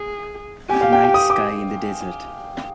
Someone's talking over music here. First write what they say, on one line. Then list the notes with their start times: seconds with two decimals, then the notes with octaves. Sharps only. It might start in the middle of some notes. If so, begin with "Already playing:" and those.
The night sky in the desert.
Already playing: G#4
0.69 G4 G#5
0.81 F5
0.93 G5
1.04 G5
1.14 D#6
1.30 D6